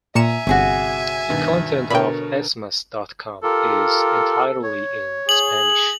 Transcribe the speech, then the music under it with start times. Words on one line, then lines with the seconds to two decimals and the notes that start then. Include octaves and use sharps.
The content of esmas dot com is entirely in Spanish.
0.15 A#2 E5 G#5 A#5 D#6 C#7 E7
0.47 G1 C3 F#4 G#4 C#5
1.30 G2 B2 D#3
1.90 B2 D3 A#4 C#5 G5 B5
3.43 F4 G4 A4 A#4
4.63 C#5
5.29 G#4 F#7